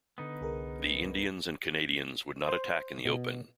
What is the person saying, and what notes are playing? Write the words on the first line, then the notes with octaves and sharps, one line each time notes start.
The Indians and Canadians would not attack in the open.
D3 B3 D#4 D#6
C2 G#4 A#4
C5
B2